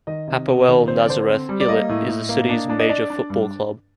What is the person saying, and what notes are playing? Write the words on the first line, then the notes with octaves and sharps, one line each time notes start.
Hapoel Nazareth Illit is the city's major football club.
D#3 D#5
C3
C3
D#3
C4 C5
D5
D3 C5
C4
G3
D5
A#3 D#5
A2
A2
A#3
D4
D4
D#5
D4 D5
D4
G2